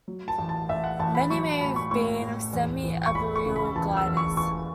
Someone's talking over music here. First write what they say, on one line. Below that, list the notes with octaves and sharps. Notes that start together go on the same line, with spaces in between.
Many may have been semi-arboreal gliders.
F#3
A5
A1
A5
A1 E5
F#5
A1 A5
B5
F#3 C#6
A2 B5
C#6
A2 C#6
A2
E2
E3
C#6
E2 B5
C#6
C#3
B5
E3 A5
E6
E2
C#6
E3 C#6